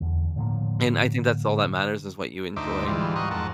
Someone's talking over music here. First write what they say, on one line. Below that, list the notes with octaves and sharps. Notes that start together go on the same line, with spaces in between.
And I think that's all that matters is what you enjoy.
E2 D3
A2 D3 F3 A#3
D2 D#4 C5 E5 D6
G#2 E3 G3 F4
F5 F#5 A#5 C6 C#6 D#6
F2 G#2 A#4 F#5 A5